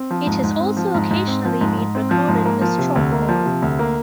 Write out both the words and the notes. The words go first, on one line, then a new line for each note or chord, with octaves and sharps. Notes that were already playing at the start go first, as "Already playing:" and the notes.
It has also occasionally been recorded as "Chalkmore".
Already playing: C4
F3
G#2
G#2
C4
F3
G#2
G#2
C4
F3
G#2
G#2
C4
F3
G#2
A#3
F3
C3
D2
A#3
F3
C3
D2
A#3